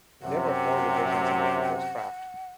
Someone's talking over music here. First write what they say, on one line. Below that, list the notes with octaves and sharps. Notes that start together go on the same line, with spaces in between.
There were four divisions in the cooper's craft.
F#2 C3 F#5